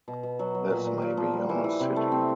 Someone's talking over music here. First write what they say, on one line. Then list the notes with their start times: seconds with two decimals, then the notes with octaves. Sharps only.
This may be on a city.
0.08 B2
0.23 B2
0.39 F#3
0.55 F#3
0.70 A#2
0.86 A#2
1.02 A#2
1.17 F3
1.34 G3
1.49 E3
1.64 E3
1.80 C3
1.96 A3
2.12 C4